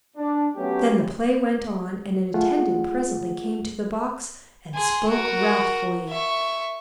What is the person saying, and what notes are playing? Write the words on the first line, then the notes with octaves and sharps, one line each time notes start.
Then the play went on, and an attendant presently came to the box and spoke wrathfully.
D4
F#3 A3 B3 C#4 G4
A3 F4 G#4 F#5
G#4 C6
F#4 A#4
E5 C#6